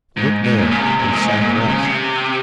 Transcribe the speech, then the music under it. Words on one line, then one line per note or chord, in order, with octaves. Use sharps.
Look there, in the southwest.
G#2
G#2
A#2
C#3
C3
A#2
F#2
G#2
G#2
A#2
C3
C#3
C3